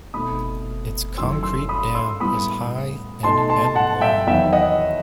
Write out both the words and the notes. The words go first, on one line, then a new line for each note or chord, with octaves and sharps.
Its concrete dam is high and m long.
B2 A3 C4 D#4 B5 D#6
F#2 D#3 F#3 A3 E4 C6 E6
C6 E6
B5 D#6
C6 E6
A2 G3 B3 E4 B5 D#6
B2 A3 D#4 A5 C6
A5 C6
F#5 A5
E5 G5
E2 D#3 F#3 B3 E4 E5 G5
D#5 F#5